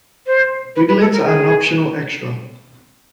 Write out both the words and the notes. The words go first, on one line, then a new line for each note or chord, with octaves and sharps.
Winglets are an optional extra.
C5
B4
B4
A4
A#4
G#4